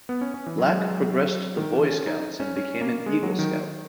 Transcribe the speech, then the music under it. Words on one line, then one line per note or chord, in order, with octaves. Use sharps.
Black progressed the Boy Scouts and became an Eagle Scout.
B3
C#4
C#4
E3
F#3
G#3
F#3
D#3
E3
C#4
D#4
C#4
C#4
A#3
G#3
F#3
D#3